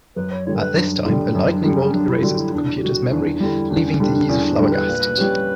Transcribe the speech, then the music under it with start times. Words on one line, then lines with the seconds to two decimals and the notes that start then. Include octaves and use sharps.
At this time, a lightning bolt erases the computer's memory, leaving the user flabbergasted.
0.16 F#2 B4
0.32 C#5
0.46 D3 G3 C#5
0.55 A#4
0.60 B4
0.76 F#2 D4
1.05 D3 G3 D4
1.34 F#2 C#4
1.47 E4
1.54 D4
1.64 D3 G3
1.73 C#4
1.93 F#2 D4
2.09 E4
2.23 D3 G3 F#4
2.37 E4
2.53 E2 D4
2.76 G4
2.82 D3 G3 F#4
3.11 E2 D4
3.34 D4
3.40 D3 G3 E4
3.70 E2 D4
3.85 C#4
4.00 D3 G3 D4
4.14 D4
4.29 E2 C#4
4.44 D4
4.58 D3 G3 D4
4.72 B4
4.88 A#2
5.17 G3 C#4 G4